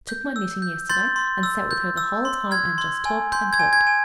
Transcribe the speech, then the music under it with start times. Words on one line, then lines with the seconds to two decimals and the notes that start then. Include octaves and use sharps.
I took my knitting yesterday, and sat with her the whole time and just talked and talked.
0.09 G6
0.36 E6
0.62 G6
0.90 C6 G6 A6
1.16 C6
1.43 E6
1.71 G6
1.97 E6
2.25 C6
2.51 F6 G#6
2.78 C6
3.05 G#5
3.32 C6 G6
3.53 G#6
3.59 G#5
3.73 G#6
3.87 G#5